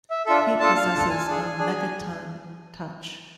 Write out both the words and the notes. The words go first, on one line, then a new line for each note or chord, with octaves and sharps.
He possesses a Megaton Touch.
E5
D4 F4 A4 E5
D4 F4 A4 A5
F5
D4 F4 A4 A5
G#5
D4 G#4
D4 G#4